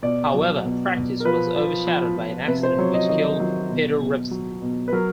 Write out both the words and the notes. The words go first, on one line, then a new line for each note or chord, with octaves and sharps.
However, practice was overshadowed by an accident which killed Peter Revson.
B2 D5
F#3
B2
B2
A#4
F3 B4
F3
F3
F3
C3 B4
C5
F#3 C#5
D#5
D#3 D#5
F#3
B2
B2
F#3
B2
B4
F#3 A#4